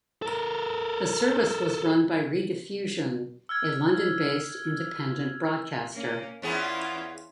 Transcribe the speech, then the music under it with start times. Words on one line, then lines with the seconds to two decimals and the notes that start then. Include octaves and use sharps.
The service was run by Rediffusion, a London-based independent broadcaster.
0.22 A4 A#4
3.49 E6 F6 G#6
5.92 A#3 C#4
6.42 E2 B3 C#4 E4 F4 G#4